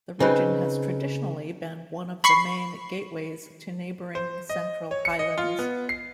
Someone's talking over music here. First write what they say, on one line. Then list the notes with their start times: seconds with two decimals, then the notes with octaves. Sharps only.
The region has traditionally been one of the main gateways to neighbouring Central Highlands.
0.20 C#3 C4 D#4 B4
2.24 B5 C#6 C7
4.15 C5
4.49 D#5
4.91 C#5
5.05 C#7
5.19 D#5
5.38 F4
5.59 B3
5.89 C7